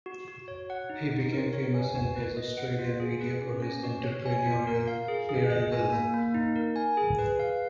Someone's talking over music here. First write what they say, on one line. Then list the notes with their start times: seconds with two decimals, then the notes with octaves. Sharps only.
He became famous in the Australian media for his entrepreneurial flair and wealth.
0.06 F#4
0.28 F#4
0.48 C#5
0.70 F#5
0.90 D#4
1.12 D#4
1.32 A#4
1.53 C#5
1.74 G#5
1.95 F#4
2.16 B4
2.37 D#5
2.58 F#5
2.79 F4
3.00 G#4
3.21 B4
3.41 C#4
3.62 C#4
3.83 F#4
4.04 C#5
4.26 G#5
4.46 F4
4.67 A#4
4.88 F5
5.08 G#4
5.29 G#4
5.50 D#5
5.72 G#5
5.93 A#3
6.14 A#3
6.34 D#4
6.56 A#4
6.76 G#5
6.97 G#4
7.19 B4
7.39 F5